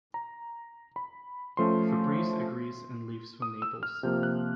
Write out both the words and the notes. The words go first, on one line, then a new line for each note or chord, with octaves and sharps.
Fabrice agrees and leaves for Naples.
A#5
B5
F3 A3 C#4 C6
D#6
E6
F6
C3 F3 A#3 G6
F#6